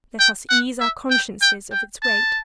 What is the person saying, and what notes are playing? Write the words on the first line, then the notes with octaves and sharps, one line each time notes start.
Let us ease our consciences of its weight.
G5
F#5
E5
G5
G5
G5
A5